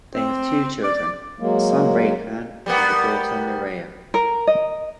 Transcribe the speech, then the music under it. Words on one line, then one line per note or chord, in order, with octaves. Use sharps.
They have two children; a son Raihan and a daughter Miraya.
C4
D5
F#3 G#3 A#3
G3 A#3 B3
A#4
D#5